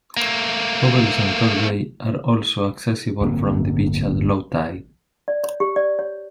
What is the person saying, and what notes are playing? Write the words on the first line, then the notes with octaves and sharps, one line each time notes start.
Pobbles and Tor Bay are also accessible from the beach at low tide.
A3 A#3
D1 G1 A#3 C4
D5
C#5
G4
D5
C#5